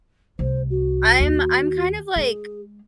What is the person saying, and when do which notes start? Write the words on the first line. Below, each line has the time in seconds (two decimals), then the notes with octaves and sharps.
I'm I'm kind of, like,
0.39 C2 A3 C5
0.69 F#4
1.20 D#2
2.16 G#3 G#4